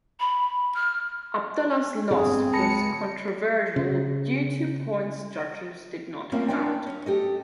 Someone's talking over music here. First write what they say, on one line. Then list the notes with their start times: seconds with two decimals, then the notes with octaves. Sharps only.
Abdallah's loss was controversial due to points judges did not count.
0.20 B5
0.75 F6
2.11 G1 C4 G#4
2.53 C#2 G#3 A5 B5 A#6 C#7
3.76 C#3
6.32 A3 A#3 C4 C#4 F4
6.48 B3 C#4 D4 D5 D#5 G5
6.87 C#4
7.06 G4 A4 D#5